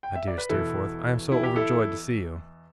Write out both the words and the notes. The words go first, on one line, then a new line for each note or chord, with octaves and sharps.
My dear Steerforth, I am so overjoyed to see you!'
G5
E5
D5
B4
E2 B2 E4 A4
E4
G4
E4 A4